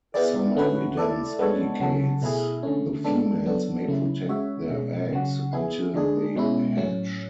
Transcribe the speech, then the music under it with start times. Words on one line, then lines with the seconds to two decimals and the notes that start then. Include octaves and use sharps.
Some evidence indicates the females may protect their eggs until they hatch.
0.14 B3 E4 G#4 D5
0.56 D3 A3 C#4 F#4 B4
0.97 A3 E4 A4 D5
1.39 G#3 B3 D4 A4 C#5
1.80 C#3 F#3 C#4 F#4 A4
2.22 B2 A3 E4 G#4
2.63 D3 A3 C#4
3.04 G#3 B3 D4 A4
3.46 F#3 B3 D4 F#4 A4
3.87 C#3 F#3 A3 C#4 E4
4.28 G#3 C#4 F#4 C#5 E5
4.70 B2 G#3 C#4
5.11 C#3 F#3 C#4 F#4
5.53 B3 E4 G#4
5.94 D3 G#3 D4 G#4
6.35 B2 G#3 C#4 E4
6.77 A2 F#3 C#4